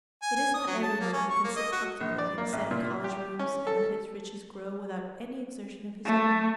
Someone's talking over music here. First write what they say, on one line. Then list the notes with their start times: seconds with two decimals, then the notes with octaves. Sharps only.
'It is not every one who can sit comfortably in a set of college rooms, and let his riches grow without any exertion of his own.
0.22 G#5
0.36 G#5
0.54 D#6
0.67 F#3
0.83 A5
1.00 A#3
1.13 C#4
1.30 C#6
1.44 A#3
1.56 D#5
1.72 F#4
2.01 A#1
2.18 D5
2.38 A#3
2.53 A1
2.71 A#2
3.04 G4
3.39 C#4
3.67 A4
6.05 A3